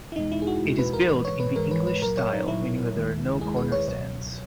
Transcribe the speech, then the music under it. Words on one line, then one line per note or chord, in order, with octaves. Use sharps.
It is built in the "English style", meaning that there are no corner stands.
E4
E2 B2 G#3 D#4
E4
G#4
F#4
E2 B2 G#3
B4
A#4
G#2 E3 G#3 B4
C#5
B4
G#2 E3 G#3 A#4
B4
B4
A#2 F#3 A#4
C#5
D#4
A#2 F#3 E4
D#2 D#3 G#3
D#2 D#3 G#3 G#4
B4
C#5
C#2 B2 F#3 C#5